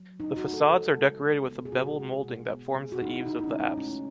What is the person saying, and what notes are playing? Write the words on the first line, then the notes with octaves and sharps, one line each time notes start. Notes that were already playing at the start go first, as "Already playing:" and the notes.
The facades are decorated with a beveled molding that forms the eaves of the apse.
Already playing: F#3
C#3 D#4
F#4
A3
A4
C#3
G#3
C#3
B3
G#4
B2 F#4
G#3
B2
B3
B3 G#4
F#4
E3 D#4
E4
C#3 D#4
D#4
C#4
G#3
D#4
A3 C#4